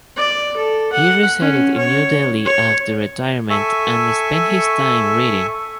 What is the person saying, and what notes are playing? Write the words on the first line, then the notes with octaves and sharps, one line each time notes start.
He resided in New Delhi after retirement and spent his time reading.
D5
A4
F#5
C#4
C#5
C#5
A4 E5 G#5 C#6